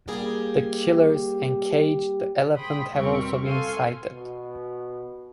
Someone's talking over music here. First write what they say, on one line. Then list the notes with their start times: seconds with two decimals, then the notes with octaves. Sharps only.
The Killers and Cage the Elephant have also been cited.
0.08 G3 A#3 G4 G#4
2.56 G#4 C5 G5 B5 C6 D#6
2.93 E2 B2 G3 C4 A#4 C#6
3.44 A4 C5 F5 G#5 C6 C#6
4.10 B2